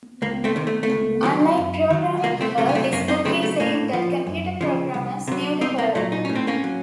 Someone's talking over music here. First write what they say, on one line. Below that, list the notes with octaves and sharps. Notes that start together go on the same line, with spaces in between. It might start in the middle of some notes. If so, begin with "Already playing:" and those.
Unlike "Programming Perl", this book is aimed at computer programmers new to Perl.
C#2 A#3
A3 C4
C3 D#3
A3
A3
C#2
C3 D#3 F#3
F#2
D#3 F#3
C2 A#3
A3 C4
C3 F#3 A3
C#4
A3 C4
F#2 A#3 C#4
C4 D#4
C#3 F#3 A3 C4
A3
A2 A#3
F3
F#2
C#3 F3
C2
C3 F#3
C2 C4 D#4
A#3
A#2 F#3 A3
D#4
A2 C#4
C4
A#3 C#4
F#3